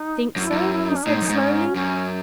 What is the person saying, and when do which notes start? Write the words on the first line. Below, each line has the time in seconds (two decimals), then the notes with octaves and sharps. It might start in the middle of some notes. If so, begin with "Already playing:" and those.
"Think so?" he said slowly.
Already playing: D#4
0.36 F#2 E4
0.52 F#2
0.72 E4
0.89 D#4
0.96 C#4
1.04 A2 D#4
1.14 G#2
1.22 F#2
1.29 G#2
1.41 C#4
1.75 F#2 C#4